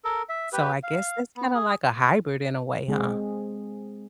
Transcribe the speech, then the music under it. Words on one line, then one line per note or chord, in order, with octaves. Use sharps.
So, I guess that's kinda like a hybrid in a way, huh?
A4 A#4
E5
G4 B4
F5
B3
G#4
G#3 C4 G#4